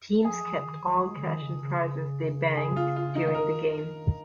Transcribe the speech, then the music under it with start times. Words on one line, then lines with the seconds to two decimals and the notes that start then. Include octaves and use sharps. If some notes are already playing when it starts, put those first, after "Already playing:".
Teams kept all cash and prizes they banked during the game.
0.24 F3 G#4
0.44 F3
0.56 C#3
0.64 D#3
0.83 F3
1.02 G#3
1.16 C#3
1.21 D#3
1.41 C#3
1.60 C#3
1.80 C#3
2.57 G#4
2.76 F4
2.96 F4
3.15 D#4
3.34 D#3 A#4